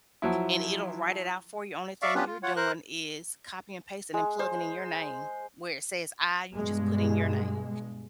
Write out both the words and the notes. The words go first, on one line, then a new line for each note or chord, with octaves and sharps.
and it'll write it out for you. Only thing you're doing is copy and pasting and plugging in your name. Where it says I, you just put in your name
F3 F#3 E4
D5 E5 F5 C#6
B3 C#4 D4 F4 G4 B4
F4
F4 C#5 F#5
A#4 C5 F#6
G#3
C5
G2 B2 G#3